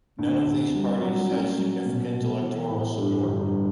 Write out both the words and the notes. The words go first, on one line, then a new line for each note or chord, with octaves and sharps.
None of these parties has significant electoral support.
D2
D2
C2
F#3
C#4
F#3
B2
B2
E3
A2
G2
G1